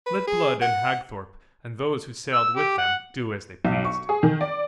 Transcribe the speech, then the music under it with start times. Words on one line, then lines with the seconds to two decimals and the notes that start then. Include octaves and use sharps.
Let Blood and Hagthorpe and those who sailed with them do as they pleased.
0.06 B4
0.27 G#4
0.62 F#5
2.33 E6
2.56 G4
2.78 F#5
3.65 B1
3.85 C#6
4.09 G#4
4.23 D#3
4.41 D5